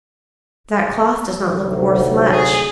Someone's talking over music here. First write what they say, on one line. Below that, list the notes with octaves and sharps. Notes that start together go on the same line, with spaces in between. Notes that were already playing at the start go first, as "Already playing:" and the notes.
'That cloth does not look worth much!'
G#1 D2 C3 F#3
G#4